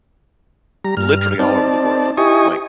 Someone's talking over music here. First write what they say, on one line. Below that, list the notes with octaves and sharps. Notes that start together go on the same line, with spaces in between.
literally all over the world, like
G3 A#5
G2 F6
C4 D#4 D5 A5
E4 G4 D#5 G#5 C#6 D#6